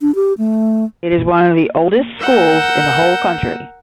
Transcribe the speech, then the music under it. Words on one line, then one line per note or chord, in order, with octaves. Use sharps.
It is one of the oldest schools in the whole country.
D4
G4
A3
A#4 F#5 E6 G6